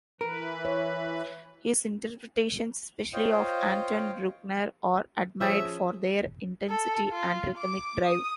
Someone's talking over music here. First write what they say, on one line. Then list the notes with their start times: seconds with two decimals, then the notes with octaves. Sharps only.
His interpretations, especially of Anton Bruckner, are admired for their intensity and rhythmic drive.
0.21 E3 A#4 B4
0.65 C#5
3.13 F4 C5 C#5 D#5 F5 G5
5.40 F3 C#4 G#4 E5
6.69 A4
7.11 F4
7.57 D6
8.04 D#6